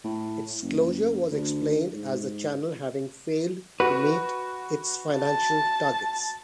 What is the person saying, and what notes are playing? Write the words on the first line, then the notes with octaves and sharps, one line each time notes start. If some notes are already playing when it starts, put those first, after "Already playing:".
Its closure was explained as the channel having failed to meet its financial targets.
A2
F#1
D2
G#2
F#4 B4
A5